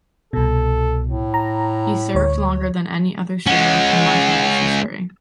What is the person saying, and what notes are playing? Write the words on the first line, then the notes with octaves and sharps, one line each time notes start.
He served longer than any other sheriff in Montana's history.
C2 B2 A4
A2
A#5
D2 C#5
G#3 C#4 F#5